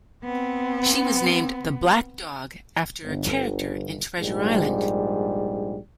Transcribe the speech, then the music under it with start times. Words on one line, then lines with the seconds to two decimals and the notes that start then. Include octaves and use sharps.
She was named The Black Dog after a character in "Treasure Island".
0.24 B3 C4
3.03 G1
4.20 A#1 G#2 G3